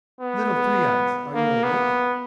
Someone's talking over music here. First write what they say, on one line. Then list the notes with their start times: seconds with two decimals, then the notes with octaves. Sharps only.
'Little Three eyes, are you awake?'
0.21 B3
1.35 A#3
1.63 B3